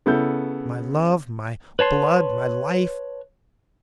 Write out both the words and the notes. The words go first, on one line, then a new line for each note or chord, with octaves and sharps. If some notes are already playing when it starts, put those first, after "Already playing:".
My love, my blood, my life!
C#3 B3 E4 A4 G6
B4 C#5 A5 C6